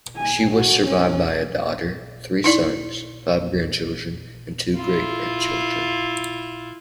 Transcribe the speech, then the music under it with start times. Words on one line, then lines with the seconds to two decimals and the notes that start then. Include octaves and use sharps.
She was survived by a daughter, three sons, five grandchildren; and two great-grandchildren.
0.17 G#5
0.51 F#4
0.87 C#4
2.44 D#4 E4 D5
4.77 E4 F4